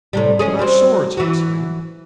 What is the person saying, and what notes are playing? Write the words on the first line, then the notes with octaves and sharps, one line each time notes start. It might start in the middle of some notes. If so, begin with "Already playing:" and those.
"But our swords!" he exclaimed.
A2 C3 G3
G#3 C#4 G#4
F#3 G3 C4
E3 F#4